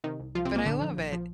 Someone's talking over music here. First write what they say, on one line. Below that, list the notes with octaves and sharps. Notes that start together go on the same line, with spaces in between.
but I love it.
C3 D#3 D#4
C2
C2 F3 F4
C3 C4
C2
A#2 A#3
A#1 D3 D4
F3
A#1
F3